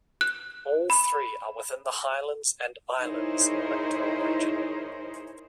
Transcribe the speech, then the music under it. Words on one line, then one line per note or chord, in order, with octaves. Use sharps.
All three are within the Highlands and Islands electoral region.
F#6
B5
D#4 E4 G#4 A#4 C5 C#5